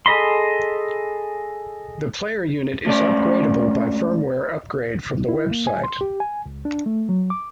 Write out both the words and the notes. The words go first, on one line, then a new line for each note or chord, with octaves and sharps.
The player unit is upgradeable by firmware upgrade from the website.
G#4 A4 D#5 B5 C6
C#2 A3 C#4 D5
E4
A#3
G#5
C6
G4
G#5
C#2
D4
A3
F#3
D6